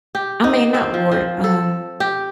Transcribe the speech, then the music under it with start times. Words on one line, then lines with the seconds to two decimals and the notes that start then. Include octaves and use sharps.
I mean, not Ward, um
0.15 G4
0.44 D#4
0.74 C4
0.94 F3
1.12 F3
1.44 A4
2.00 G4